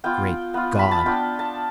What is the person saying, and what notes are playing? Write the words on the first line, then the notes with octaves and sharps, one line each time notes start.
Great God!
B3 F4 G5
B3 F4
B5
A5
B3 D4 F4 G5
A5